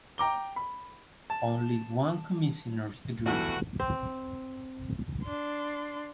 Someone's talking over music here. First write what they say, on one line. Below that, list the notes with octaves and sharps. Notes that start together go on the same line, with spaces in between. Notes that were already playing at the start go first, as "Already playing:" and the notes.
Only one commissioner agrees.
G5 A#5 D6 G7
B5
A5
E2 G2 A3 F#4
C4
D4 C6